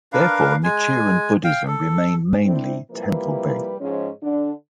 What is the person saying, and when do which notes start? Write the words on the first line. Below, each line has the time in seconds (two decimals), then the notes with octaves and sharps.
Therefore, Nichiren-Buddhism remained mainly temple-based.
0.13 D4 A#4 B4 F5
0.63 G#3 G#5
1.44 F5 G5
1.67 A4
2.46 C4 D4 E4
2.91 C3 F3 G3 A#3 E4 B4
3.80 G#2 F3 G#3 C#4
4.23 D3 D4